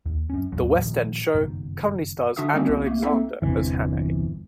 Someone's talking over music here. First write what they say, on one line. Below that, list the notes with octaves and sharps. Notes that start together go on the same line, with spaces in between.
The West End show currently stars Andrew Alexander as Hannay.
D#2
F#2 C#4
G#1 D#2 A#2 F#3
A#2 D#3 F3
F#1 G2 B2 D#3
D3 D4 F#4 E5 D#6
G3 A3 A#3 C4 C#4 F#4
C2
A3 A#3
A#3 C4 D#4 A4 E5
G1 E2 C3 E3